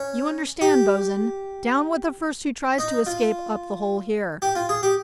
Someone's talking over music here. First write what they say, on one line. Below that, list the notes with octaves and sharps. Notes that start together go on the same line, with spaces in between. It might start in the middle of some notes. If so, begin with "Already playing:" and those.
"You understand, bo's'n, down with the first who tries to escape up the hole here."
Already playing: C#4
G4
D#4
F4
G4
F4
G#4
G4